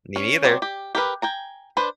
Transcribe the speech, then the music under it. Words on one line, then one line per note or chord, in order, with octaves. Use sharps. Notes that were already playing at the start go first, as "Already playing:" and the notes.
Me neither,
C#4
F#3 C4 D5
G4
G4 A#4 B4
G5 G#5 A#5
D4 B4 C5